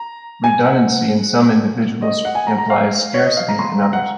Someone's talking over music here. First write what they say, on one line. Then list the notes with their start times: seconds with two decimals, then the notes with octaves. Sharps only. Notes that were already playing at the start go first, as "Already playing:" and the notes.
Redundancy in some individuals implies scarcity in others.
Already playing: A#5
0.44 G#5
0.67 F#5
2.02 D#5
2.25 F#5
2.35 G#5
2.47 A#5
2.58 A#5
2.70 F5
3.14 C#5
3.26 D#5
3.37 F5
3.48 A#5
3.59 C6
3.82 A#5
3.93 F#5